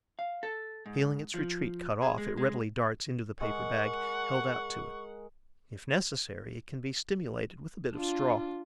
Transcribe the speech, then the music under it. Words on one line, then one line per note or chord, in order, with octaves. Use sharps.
Feeling its retreat cut off, it readily darts into the paper bag held out to it; if necessary, it can be stimulated with a bit of straw.
F5
A4
G#2
F3
G#4
G#3
G#3
G#3 A#4 F#5 C#6
D4 F4